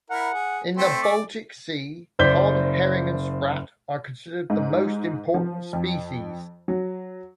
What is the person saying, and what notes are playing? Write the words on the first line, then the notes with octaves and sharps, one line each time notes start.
In the Baltic Sea, cod, herring, and sprat are considered the most important species.
E4 A#4 F#5
G#4
A3 C4 C5
D5
F#1 C5 D5 G6 B6 G7
G#2
F3
F2
F#3